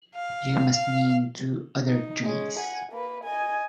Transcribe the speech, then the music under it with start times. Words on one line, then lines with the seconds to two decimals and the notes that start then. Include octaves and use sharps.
You must mean two other trees.
0.16 F5
0.72 F5
1.88 D#4
2.24 G#3 C#4
2.59 F#5 G#5
2.92 A#3 B4
3.24 D#5 G#5